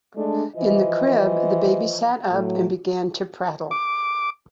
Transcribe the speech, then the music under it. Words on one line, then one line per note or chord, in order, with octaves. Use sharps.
In the crib the baby sat up and began to prattle.
G#3 A3 D4
E3 F3 D#5
A2 F#3
D6